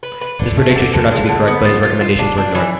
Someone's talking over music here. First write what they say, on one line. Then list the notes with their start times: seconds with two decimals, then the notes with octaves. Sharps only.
His predictions turned out to be correct, but his recommendations were ignored.
0.03 B4
0.21 B4
0.39 D3
0.57 A3
0.75 D3
0.93 D3
1.11 G#3
1.29 D3
1.47 B3
1.65 F4
1.83 F4
2.01 F4
2.19 D4
2.38 D4
2.55 E3